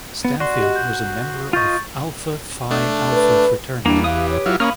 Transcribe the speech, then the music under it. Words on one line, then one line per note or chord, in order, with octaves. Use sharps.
Stanfield was a member of Alpha Phi Alpha fraternity.
B3
F#4 D5 C6
G4 D#5
G6
F4 D#5 C#6 G6 A6
A3 D4
B4
E2 G3 A#3 D4
G4 B4 F5 D#6
C#5
F#3 E4 F4
A#3 C#4 F5 B5 D#6 F6